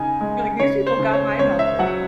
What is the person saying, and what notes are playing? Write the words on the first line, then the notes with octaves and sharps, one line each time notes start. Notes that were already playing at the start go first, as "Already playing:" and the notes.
You were like, "These people got my number."
Already playing: C#3 D#4 G#5
G#3
C#3 C#5
C5
C#3
C#5
C#2 C#5
E5
F#3 F#5